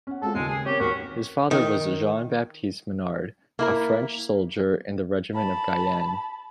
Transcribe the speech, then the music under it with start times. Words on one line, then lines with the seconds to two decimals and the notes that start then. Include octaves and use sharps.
His father was Jean Baptiste Menard, a French soldier in the regiment of Guyenne.
0.07 C#4 F#5
0.22 G#3 C4 F4 A4
0.35 D#2 C#3 G#3 C7
0.48 G#4
0.66 C4 C#4 G4 A#4 C#5
0.80 D#2 F#4 A#4 B6
1.51 D#3
3.59 A#3 E4 A#4
5.35 A5 B5